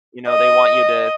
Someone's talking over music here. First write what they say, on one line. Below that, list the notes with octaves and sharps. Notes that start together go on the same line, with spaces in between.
you know, they want you to
D#5